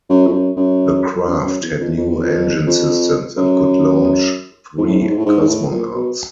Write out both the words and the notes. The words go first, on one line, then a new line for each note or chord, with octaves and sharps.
The craft had new engine systems and could launch three cosmonauts.
F#2
F2
F#2
F#2
F#2
F#2
E2
F2
F2
E2
F2
F2
F#2
G#2
A2
G#2
A2
G#2
A2
G#2
G#2
A2
A#2
B2